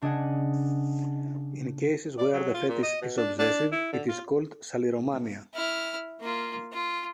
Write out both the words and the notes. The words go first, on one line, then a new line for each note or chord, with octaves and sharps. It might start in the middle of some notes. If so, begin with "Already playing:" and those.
In cases where the fetish is obsessive it is called saliromania.
C#3 D4 G#4 D#5 F#5 G#5
D5
F#3
F4
A#2
D#5
B2
D4
D4
E4
D3
F4
E4 F6
A#3 F4
F4